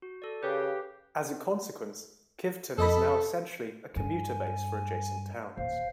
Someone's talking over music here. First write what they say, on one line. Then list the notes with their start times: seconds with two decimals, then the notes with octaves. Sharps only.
As a consequence, Kiveton is now essentially a commuter base for adjacent towns.
0.02 F#4
0.22 A4 D5
0.43 C#3 G4 B4 F5
2.78 F2 A4 D#5 B5
3.96 G2 G#5
5.57 D#1 C5 F5